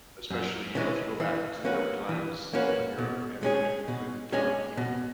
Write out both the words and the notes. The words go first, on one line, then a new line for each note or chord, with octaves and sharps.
Especially, you know, if you go back to there were times over in Europe, and women couldn't, um, even
F#2
C#3 E3 G#3
E3
A#3 C#4 F#4 B4
E3
A#3 C#4 F#4 B4
B2
G#3 C#4 G#4
B2
G#3 C#4 G#4
B2